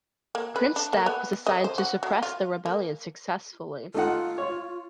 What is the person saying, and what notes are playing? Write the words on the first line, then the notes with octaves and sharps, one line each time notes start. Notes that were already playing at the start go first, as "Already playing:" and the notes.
Prince Thap was assigned to suppress the rebellion, successfully.
A#3
B4
D4
A#3
B3
D#5
C5
F#4
F#3
F4
A#3
A3 D#4 F4 F#5
C#5